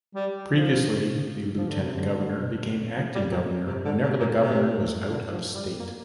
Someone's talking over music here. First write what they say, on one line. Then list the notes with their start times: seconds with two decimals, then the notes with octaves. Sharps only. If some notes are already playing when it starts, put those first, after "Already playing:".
Previously, the Lieutenant Governor became acting Governor whenever the Governor was out of state.
0.15 G3
0.50 F3
1.56 F3
1.70 D3
1.83 C3
1.96 D3
2.97 F3
3.15 G3
3.31 A#2
3.67 C3
3.85 D3
4.03 C3
4.20 A#2
4.37 C3
5.09 D3
5.32 F3
5.55 G3
5.79 A#3